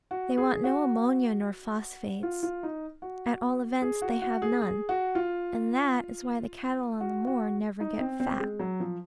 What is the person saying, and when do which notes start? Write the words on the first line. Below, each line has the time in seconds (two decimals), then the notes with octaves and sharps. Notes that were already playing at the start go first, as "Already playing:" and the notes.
They want no ammonia nor phosphates--at all events they have none, and that is why the cattle on the moor never get fat.
0.11 F#4
0.37 G#4
0.64 F#4
2.23 F4
2.43 F4
2.63 D#4
3.02 F#4
3.82 G#4
4.02 F#4
4.22 F#4
4.42 G#4
4.62 G#4
4.89 F#4
5.15 F4
7.00 F#4
7.27 F#4
7.80 D#4
8.00 C4
8.20 C4
8.40 G#3
8.59 F#3
8.80 F3